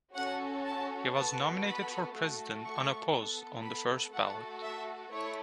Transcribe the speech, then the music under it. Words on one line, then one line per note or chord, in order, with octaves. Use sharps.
He was nominated for President unopposed on the first ballot.
C#4 F#4 A4 F#5
A5
B3 F#4 A4 A5
B5
A3 F#4 A4
C#6
B3 A4
B5
A3 F#4 A4 F#5
E5
A3 E4 C#5